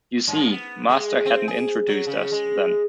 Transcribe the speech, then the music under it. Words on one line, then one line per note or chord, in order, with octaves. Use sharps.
You see, master hadn’t introduced us, then.
G2
B3
G#3
C4
G#4
F#3
C#3
G#3